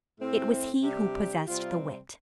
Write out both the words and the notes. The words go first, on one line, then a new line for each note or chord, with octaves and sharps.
It was he who possessed the wit.
A2 A3 C4
C3 G3 D4 G4
C3 G3 C4 F4